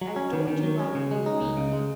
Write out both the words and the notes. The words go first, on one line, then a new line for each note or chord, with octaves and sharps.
I told you how it would be.
F#3
C#4
D#3
D#3
F#3
C#4
C#3
G#3
D#4
C#2
C#3
G#3